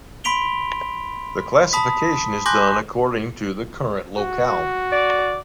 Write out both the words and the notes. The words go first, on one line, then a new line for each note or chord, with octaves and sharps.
The classification is done according to the current locale.
B5 C6 B6 D7 F7 G7
A5 B5 D#6 B6
G#5 C6 D6 F#6 G6 A#6
F#4
D5